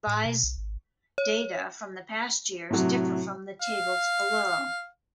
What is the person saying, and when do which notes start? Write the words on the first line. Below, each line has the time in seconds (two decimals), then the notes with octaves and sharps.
Revised data for the past years differ from the tables below.
0.07 A2
0.26 B2
0.44 B1
0.58 G#1
1.18 C#5
2.70 A2 C3 F#3
3.62 F5